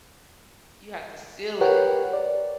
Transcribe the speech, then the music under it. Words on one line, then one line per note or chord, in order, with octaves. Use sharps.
You have to seal it.
G4 A#4 B4 C#5 F#5 G5
D5